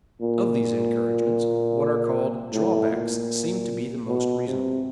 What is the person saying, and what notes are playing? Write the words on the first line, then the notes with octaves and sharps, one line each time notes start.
Of these encouragements, what are called drawbacks seem to be the most reasonable.
A#2
A2
A#2
B2
C3